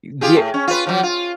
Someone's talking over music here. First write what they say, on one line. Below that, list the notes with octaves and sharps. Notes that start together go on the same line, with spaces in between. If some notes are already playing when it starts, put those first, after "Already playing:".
Y yeah Eh
F4 G4 G#4
A2
C#4
F4 B4
F3 F#3
F4